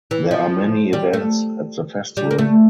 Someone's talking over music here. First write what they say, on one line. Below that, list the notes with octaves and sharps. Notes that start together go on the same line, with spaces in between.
There are many events at the festival.
E3
F3
G3
A3
G3
A#3
A3